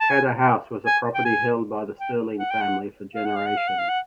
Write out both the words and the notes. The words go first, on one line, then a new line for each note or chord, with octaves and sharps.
Cadder House was a property held by the Stirling family for generations.
A5
G#5
G#5
G5
G#5
G5
F#5
G5
F#5
F5
F#5
F5
F#5
F5
F#5
F5
F#5